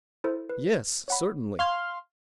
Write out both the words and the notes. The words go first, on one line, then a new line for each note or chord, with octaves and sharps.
Yes, certainly.
E4 A4 C5
B4
C#5 F#5 B5
F5 C6 C#6 F6 G#6